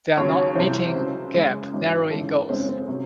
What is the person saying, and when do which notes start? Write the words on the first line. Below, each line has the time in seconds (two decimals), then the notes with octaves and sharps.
They are not meeting gap narrowing goals.
0.17 D#2 C#3 F#3 C#5
0.56 C2 C3 E3 C5
0.95 C#2 C#3 F#3
1.34 F#2 C#3 G#3
1.72 G#1 G#2 F#3
2.11 G#1 F#2 E3 G#3 A4
2.30 C#4
2.49 F#1 F#2 C#3 G#3 C4
2.69 C4
2.88 C3 F#3 C#4